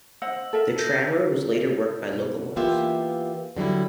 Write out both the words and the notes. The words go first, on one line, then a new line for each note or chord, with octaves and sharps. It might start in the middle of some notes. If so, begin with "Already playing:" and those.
The tramroad was later worked by locomotives.
C5 D#5 F#5 E6
A4 A#4 E5
G6 A#6
B2
E3 A#3 B3 F4 G4 E5
D3 F#3 G3 E4